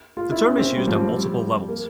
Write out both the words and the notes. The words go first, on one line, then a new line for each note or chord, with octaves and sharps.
The term is used on multiple levels.
F4
E4
C#4
C4
G3
F3
G3
A#3